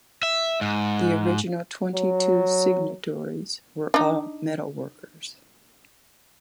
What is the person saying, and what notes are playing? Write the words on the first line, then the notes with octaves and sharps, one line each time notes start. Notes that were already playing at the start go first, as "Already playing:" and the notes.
The original twenty two signatories were all metalworkers.
E5
G#2
F#3
D4 D#4